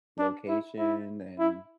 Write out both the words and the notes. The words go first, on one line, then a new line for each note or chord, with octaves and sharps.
location and
D4
E4
E4
E4